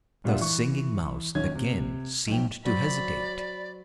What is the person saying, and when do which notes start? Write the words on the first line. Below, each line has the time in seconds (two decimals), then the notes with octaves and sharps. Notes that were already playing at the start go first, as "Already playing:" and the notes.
The Singing Mouse again seemed to hesitate.
0.24 G2 A#2 G3 F4 E5 F#5
0.41 E3 C#6
1.35 D#1 B1 C#4 G#6
1.55 C3
2.27 B1 F3 G5
2.65 F#3 C5 D5 B5